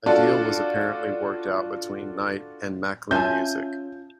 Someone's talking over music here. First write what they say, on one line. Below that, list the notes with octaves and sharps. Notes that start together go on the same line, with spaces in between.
A deal was apparently worked out between Knight and Maclen Music.
D4 F4 F#4 A4 D5 A5
C#4 F4 E5 G#5 A5 G6